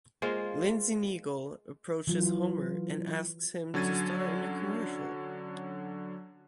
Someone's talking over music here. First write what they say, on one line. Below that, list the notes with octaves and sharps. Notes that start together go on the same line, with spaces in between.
Lindsey Naegle approaches Homer and asks him to star in a commercial.
G#3 A#3 F4 C5
E3 F#3 F4
D3 F#3 C#4 G#6 A6 D#7